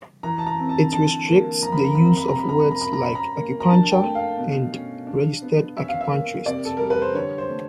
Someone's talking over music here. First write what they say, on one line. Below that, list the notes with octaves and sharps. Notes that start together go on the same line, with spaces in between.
It restricts the use of words like "Acupuncture" and "Registered Acupuncturist".
E3 A#5
A5
A#5
C4
A5
D3 A5
A#3
F3 A#5
B5
A#5
C4 B5
A#5
B5
C3 A#5
B5
A#5
B5
A#3
A#5
B5
A#5
C#4 B5
A#5
A#3
A#5
D4 A5
G5
A3
F5
B2
C#4
D4
B3
C#4 E5
F5
E5
A#3
C3 D5
A4
G3 A#4
B4
C5
D3 C#5
C5
A3